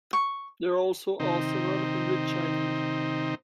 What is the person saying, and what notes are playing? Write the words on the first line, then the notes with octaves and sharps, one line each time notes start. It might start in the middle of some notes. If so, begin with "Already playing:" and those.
There also are several hundred Chinese.
C#6
C3 D#3 C4 D#4